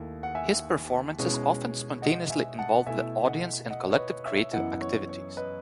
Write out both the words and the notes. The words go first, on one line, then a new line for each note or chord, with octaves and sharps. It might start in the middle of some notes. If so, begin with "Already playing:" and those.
His performances often spontaneously involved the audience in collective creative activities.
Already playing: D#2 D#3 A3 E4
F#5
E5 G#5
B2 G#3 C#4 E4
D#5 F#5
E5 G#5
F#5 A5
B2 A3 E4 E5 G#5
D#5 F#5
D#5 F#5
C#5
B4 D#5
C#5 E5
F#2 E3 B3 E4 D#5 F#5
C#5
C#5
B4 D#5